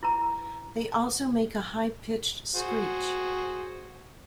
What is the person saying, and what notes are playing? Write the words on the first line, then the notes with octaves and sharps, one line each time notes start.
They also make a high pitched screech.
E4 B4 A#5
F#4 G#4 C5